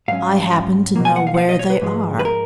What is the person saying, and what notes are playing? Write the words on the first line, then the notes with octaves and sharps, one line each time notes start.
"I happen to know where they are."
G#2 F#3 C#4 F5
B2 F#3 A#3
G#5
F#5
F5
F#5
F5
D#5
C#5
B4
G#2 F3 G#3
B4
A#4